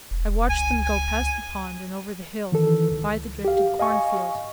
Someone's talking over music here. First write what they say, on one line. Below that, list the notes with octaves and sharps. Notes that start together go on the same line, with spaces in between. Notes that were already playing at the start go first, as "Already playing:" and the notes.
I watched them go past the pond and over the hill by the drifted cornfield.
E1
C#2 G#5
G#5
D#3 E3 A4
C#2
G4 F5
D#5 F5 G#5 C#6